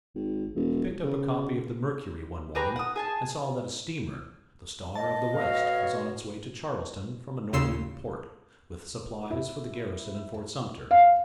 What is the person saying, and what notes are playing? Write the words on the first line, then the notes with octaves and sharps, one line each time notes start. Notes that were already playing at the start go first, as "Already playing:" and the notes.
He picked up a copy of the Mercury one morning and saw that a steamer, the Star of the West, was on its way to Charleston from a northern port with supplies for the garrison in Fort Sumter.
G#1
E1
C#3
G4 G#4 B4 A#5
F#5 D#6
G#4 G#5 A5
D#5 A5
A2 F#4 B4 C#5 F5
D#2 C#3 C6 E6 C7 E7
E4
F5